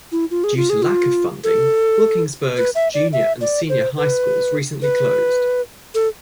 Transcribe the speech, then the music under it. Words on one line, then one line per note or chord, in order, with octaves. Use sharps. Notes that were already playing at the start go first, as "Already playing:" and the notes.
Due to lack of funding, Wilkinsburg's Junior and Senior High schools recently closed.
E4
F4
G#4
F4
G#4
F4
A4
B4
E5
D5
E5
D5
C5
B4
B4
A4